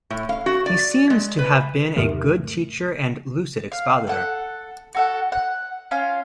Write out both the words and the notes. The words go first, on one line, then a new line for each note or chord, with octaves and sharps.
He seems to have been a good teacher and lucid expositor.
A2
F5
F#4
D5
G#3
B4
E2 G#2 C3 D#3 A3
F5
A4 F#5
F#4 A4 F#5
F#5
C#4 F4 F5